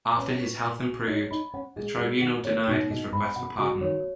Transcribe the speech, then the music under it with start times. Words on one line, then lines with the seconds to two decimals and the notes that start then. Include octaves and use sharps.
After his health improved, the tribunal denied his request for pardon.
0.17 C#4 B4
0.41 C#6
0.63 G#5
0.86 F#4
1.08 D#4 C#5
1.31 D#4 B5
1.54 C#4 F#5
1.76 G#3 G#4
1.99 G#3 F#4
2.22 D#3 F#5
2.45 D#3 C#5
2.67 B2 D#4
2.91 B2 D#5
3.12 G#2 B5
3.36 B2 F#5
3.58 C#3 F#4
3.81 D#3 C#5